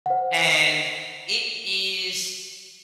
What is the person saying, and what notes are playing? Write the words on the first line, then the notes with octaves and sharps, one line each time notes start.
and it is
C5 F#5